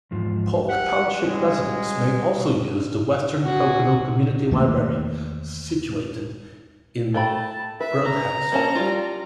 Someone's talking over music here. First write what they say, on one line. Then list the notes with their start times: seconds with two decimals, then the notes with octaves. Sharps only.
Polk Township residents may also use the Western Pocono Community Library situated in Brodheadsville.
0.11 E2 G#2 F3
0.69 G4 F#5
1.24 G3 G#3 C#4 F#4
3.44 F#4 G#4
4.51 E2 D#3 A3 A#3
7.14 A3 G5 A5 B5
7.80 B4 E5
8.05 B4 A#5
8.52 A#3 C#4 A5
8.75 G3 F4